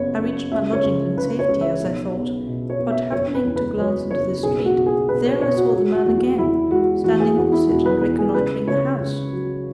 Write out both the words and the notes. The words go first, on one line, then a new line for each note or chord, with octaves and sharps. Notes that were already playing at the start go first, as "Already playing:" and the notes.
I reached my lodgings in safety, as I thought, but happening to glance into the street, there I saw the man again, standing opposite, and reconnoitering the house.
Already playing: F#1 F#2 B3 C#5
F#2
C#2 E5
C#5
C#2
C#3 B4
C#5
C#2
E5
B1
B3
B2
C#5
B3
E5
F#1 C#5
B4
E2
B4
F#3 C#5
F#1 C#5
B1 G#4
F#4
B1
G#4
B2 B4
C#5
B2 C#5
F#4
G#3 F#4
F#4
E2
F#4
E2 E4
G#3 F#4
E3 F#4
G#4
E2 F#4
E4
E1 F#4
B4
E2 B4
G#4
C#2 B4
C#3 C#5
C#2
F#3